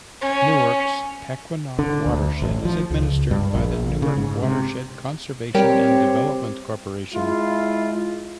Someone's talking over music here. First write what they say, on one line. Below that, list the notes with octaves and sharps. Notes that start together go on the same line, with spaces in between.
Newark's Pequannock Watershed is administered by the Newark Watershed Conservation and Development Corporation.
C#4
D3
D2
A1
F3
C#2
G2
A#1
C#3
G#2
C3
G3 C4 G4 A#4 C#5
G#3 E4 F4